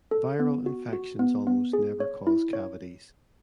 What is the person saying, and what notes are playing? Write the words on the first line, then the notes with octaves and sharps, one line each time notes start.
Viral infections almost never cause cavities.
A4
B3
F#4
F#4
B3
B3
G#4
C#5
E4
C#5